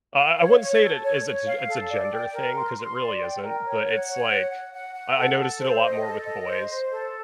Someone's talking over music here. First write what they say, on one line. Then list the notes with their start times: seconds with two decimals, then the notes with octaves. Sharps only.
uh, I wouldn't say it it is a t it's a gender thing 'cause it really isn't, but it's like, I I noticed it a lot more with boys,
0.17 F5
0.38 C#5
0.60 C#5
0.82 A4
1.03 C#5
1.25 C#5
1.47 F5
1.68 A4
1.91 D5
2.12 G5
2.34 A#4
2.56 C6
2.77 C6
2.99 D5
3.21 G5
3.43 A#4
3.64 C#5
3.85 F#5
4.08 C#5
4.29 F#5
4.51 F#5
4.73 F#5
4.95 F#5
5.16 A4
5.38 A4
5.60 C5
5.82 D#5
6.04 A4
6.25 D#5
6.47 C5
6.68 C5
6.90 A4